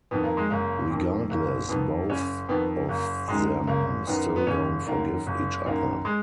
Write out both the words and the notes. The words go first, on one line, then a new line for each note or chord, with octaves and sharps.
Regardless, both of them still don't forgive each other.
F2 D#3 B3
A#3
G#3
F#1 A#3
F2 D#3
F#1 A#3
F2 D#3 B3
F#1 C#4
F2 D#3 B3
F#1 A#3
F#2 D#3 G#3
F#1 A#3
F#2 D#3 B3
B3
F#1 C#4
F#2 D#3 A#3
F#1
F#2 D#3 A#3
G#3